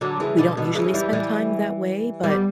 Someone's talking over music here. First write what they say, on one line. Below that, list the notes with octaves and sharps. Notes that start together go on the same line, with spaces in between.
we don't usually spend time that way, but
D3 F#3
C#3 E3
B2 D3
B2 D3
C#3 E3
E3 G3
E3 G3
G3 B3